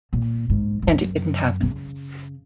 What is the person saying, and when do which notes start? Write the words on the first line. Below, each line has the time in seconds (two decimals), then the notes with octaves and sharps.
And it didn't happen.
0.13 A#2
0.50 G#2
0.82 G#2
0.87 F#2
1.63 C#3